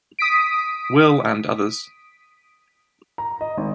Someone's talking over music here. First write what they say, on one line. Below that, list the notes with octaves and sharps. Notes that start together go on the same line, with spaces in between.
Will and others.
D#6 B6 D7
A#5
D#5
G#1